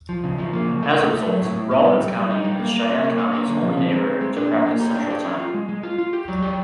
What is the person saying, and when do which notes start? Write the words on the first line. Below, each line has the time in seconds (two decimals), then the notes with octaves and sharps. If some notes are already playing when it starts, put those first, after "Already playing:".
As a result, Rawlins County is Cheyenne County's only neighbor to practice Central Time.
0.09 F3
0.24 C#3
0.38 F3
0.53 A#3
0.68 C#3
0.83 A3
0.97 A3
1.12 A3
1.27 F#3
1.42 A2
1.56 A2
1.71 B3
1.86 G3
2.01 G3
2.16 G3
2.30 D#4
2.44 G3
2.60 A#3
2.74 A#3
2.89 C#4
3.04 A#3
3.18 C#4
3.33 A#3
3.48 D3
3.63 F3
3.77 C4
3.92 G#3
4.07 C4
4.21 G#3
4.36 D4
4.51 A#3
4.66 A#3
4.80 G4
4.95 D4
5.10 G4
5.25 C#4
5.39 F4
5.54 G#3
5.69 G#3
5.83 F4
5.98 F4
6.13 G4
6.28 F#3
6.42 G4